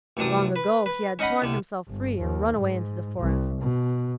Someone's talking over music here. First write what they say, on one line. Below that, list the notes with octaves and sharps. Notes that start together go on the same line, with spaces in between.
Long ago he had torn himself free and run away into the forest.
A1 F#2 C3 D4 D#6
B4
B4
C#4 D#4 D#5 F#5 B5
C2 D3
G1
D#2
G#2
C2
B2